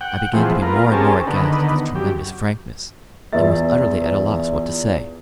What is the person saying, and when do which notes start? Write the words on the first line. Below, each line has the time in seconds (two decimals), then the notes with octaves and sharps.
I began to be more and more aghast at this tremendous frankness, and was utterly at a loss what to say.
0.01 F#5 G5
0.33 E3 F3 G#3 A3 C4
0.62 B3 F4 A#4
0.92 C4 C#4 G4 G#4 A#4 A5
1.27 D3 D#3 B3
1.95 F#2 G4
3.33 E2 F4 B4 E5 A6